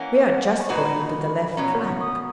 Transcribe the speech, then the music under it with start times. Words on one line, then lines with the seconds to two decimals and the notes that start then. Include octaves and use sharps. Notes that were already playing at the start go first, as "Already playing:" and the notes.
We are just going to the left flank.
Already playing: E3 A#3 C#4 F#5
0.60 C#6
0.69 A#2 G#3 D#4 F#4 B4 B5
1.57 B2 F#3 C#4 A#5
1.79 C#6
2.01 D#6